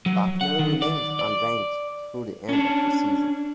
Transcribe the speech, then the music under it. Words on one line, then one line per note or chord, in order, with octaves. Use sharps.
Bucknell remained unranked through the end of the season.
F#3
F#5
D#3
D5
D5
C#4 D4